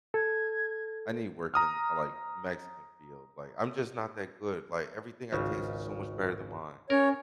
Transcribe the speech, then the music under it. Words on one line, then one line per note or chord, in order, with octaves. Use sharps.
I need to work in, uh, like, Mexican field. Like, I'm just not that good. Like, everything I taste is so much better than mine.
A4 G#6
A#5 D#6 F6
G#1 C#2 C#3
C#4 A#4 C#5